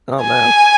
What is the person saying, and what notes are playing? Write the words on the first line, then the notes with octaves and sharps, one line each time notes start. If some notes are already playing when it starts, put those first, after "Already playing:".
Oh man.
G#5